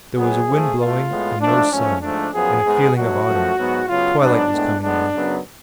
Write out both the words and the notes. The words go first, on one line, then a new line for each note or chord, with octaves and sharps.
There was a wind blowing and no sun, and a feeling of autumn; twilight was coming on.
B2 F#3 B3 G#4
F2 F3 A3
B2 A3 F4
A2 G#3 B3
G#2 F3 A3 D4
G#2 F3 A3 C#4
G#2 F3 A3 D4
F#2 F3 B3 G#4
G#2 G#3 B3
B2 F#3 A3 F#4
F#2 F3 A3
G#2 F#3 B3
C#3 F#3 B3 F4
G#2 F#3 B3 D4
A2 G#3 B3
A2 G#3 B3 D4
F#2 C#3 F#3 B3